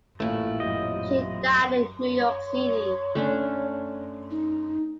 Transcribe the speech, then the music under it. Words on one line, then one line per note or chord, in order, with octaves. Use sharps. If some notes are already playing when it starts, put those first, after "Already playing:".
She died in New York City.
A1 A#2 A3 E4
F#2 C4 G4 D#5
C#5
A3 C#4 D4
D#4